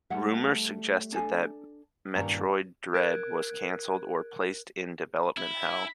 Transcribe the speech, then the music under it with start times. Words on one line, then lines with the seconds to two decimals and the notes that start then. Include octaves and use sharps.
Rumors suggested that "Metroid Dread" was cancelled or placed in development hell.
0.10 G3 A3 E5 F#5
1.12 D4 A4 G#5
2.15 G2 A#2 D#3 C#4 D5 A#5
2.94 A#4 F#6 G#6 D7
5.37 E4